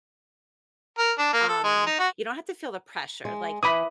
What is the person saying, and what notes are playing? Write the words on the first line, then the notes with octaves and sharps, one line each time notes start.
um you don't have to feel the pressure. Like,
A#4
D4
A#3
A4
G#3
D#4
F#4
G#3
E3 B5 D6 D#6